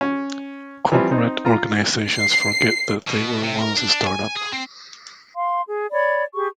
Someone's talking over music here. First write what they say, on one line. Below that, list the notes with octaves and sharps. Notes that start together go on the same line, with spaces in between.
Corporate organizations forget that they were once a startup.
C#4
E3 F3 G3 C4
C4 D#4
F4 A#5
C7
B2
C3
A#4
D4
G#5
G#4
C4
F5 C6
G#4
C#5 D5 B5
G4 G#4 C#6